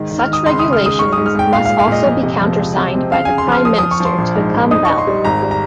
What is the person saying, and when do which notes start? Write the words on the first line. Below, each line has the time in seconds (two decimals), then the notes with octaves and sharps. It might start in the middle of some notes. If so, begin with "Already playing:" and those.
Such regulations must also be countersigned by the prime minister to become valid.
Already playing: G#2 D#3
0.11 D#3
0.19 F6
0.28 D#3
0.33 D#6
0.46 C#2 C6
0.59 D#6
0.64 C#3
0.73 F6
0.82 G#3 D#6
0.99 G#2 C#6
1.13 D#6
1.18 G#2
1.26 F6
1.35 G#2 G5
1.53 A#2 F5
1.65 F5
1.70 G#3
1.79 F5
1.88 A#2 D#5
2.06 F2
2.23 C3
2.41 F3
2.59 C#2
2.77 C3
2.95 C4
3.12 C#3 F5
3.25 C#3 G#5
3.38 C6
3.48 F3 F6
3.65 F3 D#6
3.78 D#6
3.83 F3
3.91 C#6
4.00 F3 C6
4.18 A#1
4.36 G#2
4.54 A#1
4.71 D#4 D#6
4.85 C#6
4.90 D#4
4.98 C6
5.07 G3
5.24 G#1 A#5
5.42 G3
5.51 A#5